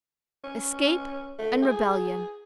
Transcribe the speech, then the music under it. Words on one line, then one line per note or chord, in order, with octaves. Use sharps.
Escape and rebellion.
C#4
A3
G#4